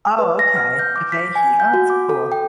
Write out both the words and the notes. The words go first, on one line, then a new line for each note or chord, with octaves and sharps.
Oh okay, "Dhivehi," oh it's cool.
B4
A#6
F6
G6
D6
B6
G#5
G6
F#4
D6
A4
G5